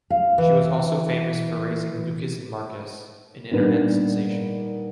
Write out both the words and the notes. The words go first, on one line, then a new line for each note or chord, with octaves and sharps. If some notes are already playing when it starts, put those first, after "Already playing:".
She was also famous for raising Lucas And Marcus, an internet sensation.
F5
E3
A#2 D#3 G3 B3 D4